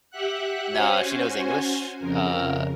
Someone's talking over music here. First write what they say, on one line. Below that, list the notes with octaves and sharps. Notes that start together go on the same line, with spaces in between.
nah, she knows English. Uh,
G4 E5 F#5 F#6
C#4 F#4 C5 G#5
F2 C#3 A#4